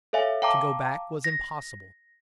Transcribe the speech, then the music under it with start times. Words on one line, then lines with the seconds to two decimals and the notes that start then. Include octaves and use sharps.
To go back was impossible.
0.13 A4 C#5 E5 F5 G#5
0.42 F5 G5 A5 A#5 D6
1.24 A#6